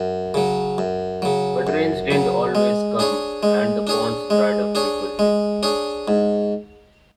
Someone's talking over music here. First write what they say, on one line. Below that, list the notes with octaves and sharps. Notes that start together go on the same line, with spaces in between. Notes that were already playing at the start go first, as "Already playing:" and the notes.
But rains didn't always come, and the ponds dried up frequently.
Already playing: F#2
C#3 F#3
F#2
C#3 F#3
F#2
C#3 F#3
G#3
D4 G#4 C#5
G#3
D4 G#4 C#5
G#3
D4 G#4 C#5
G#3
D4 G#4 C#5
G#2